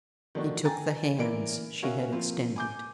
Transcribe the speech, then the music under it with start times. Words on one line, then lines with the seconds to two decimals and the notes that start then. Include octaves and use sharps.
He took the hands she had extended.
0.35 D#3 F3 A3 D4 F#4
0.65 G5 G#5 A#5 A6
1.19 E3 A#3 A#4 D5 D7
1.82 C#4 F#4 A#4 E5 F5
2.12 F3 A#3 C4 F4
2.56 G#5 D6 G6